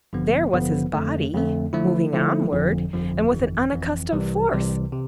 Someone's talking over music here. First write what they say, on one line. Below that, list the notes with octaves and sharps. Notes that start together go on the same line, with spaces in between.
There was his body, moving onward, and with an unaccustomed force.
A1 G2 D3 F3 B3
A1 G2 D3 F3 B3
F2 D3 A3
F2 D3 A3
D3 F3 A3 E4
D3 F3 A3 E4
G1 F2 D3 F3
G1 F2 D3 F3
G1 F2 E3
G1 F2 E3
C2 C3 E3 G3
C2 C3 E3 G3
C3